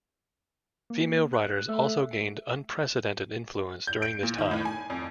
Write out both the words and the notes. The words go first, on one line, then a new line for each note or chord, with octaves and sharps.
Female writers also gained unprecedented influence during this time.
A#3
F#6
A3 E5
G6
D7
A#2
D#3
A2
G#5
F2